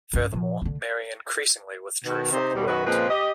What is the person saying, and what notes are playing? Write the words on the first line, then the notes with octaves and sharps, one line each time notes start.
Furthermore, Mary increasingly withdrew from the world.
G2 C#4
A#2 F3
D3 A3
B2 D#3
C3 D#4 C5
D#2 B2 G3
F#2 B2 D#3 F#4 B4
A#2 C#3 F3 G#3 C4 B4
G4 D#5